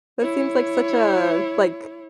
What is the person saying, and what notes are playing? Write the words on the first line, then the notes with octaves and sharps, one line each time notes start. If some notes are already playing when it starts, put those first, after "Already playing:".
That seems like such a, like
E4 C#5